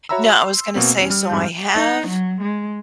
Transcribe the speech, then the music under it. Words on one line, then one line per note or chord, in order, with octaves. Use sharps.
No, I was gonna say, so I have
F#4 C#5 E5 A#5 B5 E6
C6
B2 A#3 C4
E2 C#4
G3 F6
F2 G#2 G3 G6
D#4
F#3
G#3